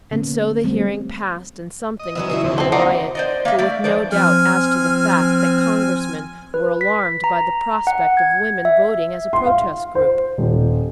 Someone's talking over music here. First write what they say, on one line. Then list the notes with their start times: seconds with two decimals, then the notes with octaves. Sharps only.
And so the hearing passed in something of a verbal riot, but with no doubt as to the fact that Congressmen were alarmed by the prospect of women voting as a protest group.
0.11 D3 A#3 B3 C#4
0.64 G3 A3 C4
1.99 D#5
2.15 G2 E3 F#3 D#5 E5
2.30 C#3 F#3 E4
2.44 D2 C3 E3
2.58 C4 A4
2.72 A#3 C4 A#4 D5 D#5 F#5
3.15 C5 D5 D#5
3.45 A#3 D#5 E5
3.58 A3 D5 E5
3.84 G2 F3 C5 D5
4.12 F3 C4 G#5 F6
6.54 B4
6.81 B6
7.24 A#5
7.87 F#5
8.17 G#6
8.65 E5
9.33 C6
9.46 F5
9.95 C5
10.38 D#1